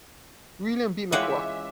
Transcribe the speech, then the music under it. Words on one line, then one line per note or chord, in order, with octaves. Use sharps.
William B. McCulloch.
E3 G#3 C#4 F4 E5 F#5 G5 D6